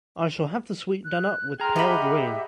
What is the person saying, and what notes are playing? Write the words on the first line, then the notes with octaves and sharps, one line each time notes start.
I shall have the suite done up with pale green.
F#6
G#4 G5 A#5 C6 F6
G4 D#5 E5 F#5 B5